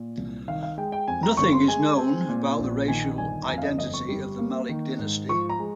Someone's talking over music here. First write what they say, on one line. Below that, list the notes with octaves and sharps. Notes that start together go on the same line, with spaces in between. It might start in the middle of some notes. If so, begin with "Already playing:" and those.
Nothing is known about the racial identity of the Malik dynasty.
Already playing: A#2
C2
D#3 F5
F5
G#3 G5
G5
F2 G#5
A#5
G1 C#6
C6
G#3 G#5
C4
A#2
A#1
D#3 G#5
G1 G#5
A#5
F2 G#5
F5
D#5
G1 D#5
C#6
G3
A#3
D#3
G#2
F3 C#6
A#5
G#3